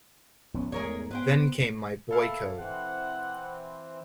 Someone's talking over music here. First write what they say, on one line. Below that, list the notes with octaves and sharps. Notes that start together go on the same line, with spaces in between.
Then came my boy code.
A#1 B3 C#4
E2 G#2 A3 G#4 A#4 C#5
B3 B4 C5 G5
E4 A4 F5
E3 C4 F#5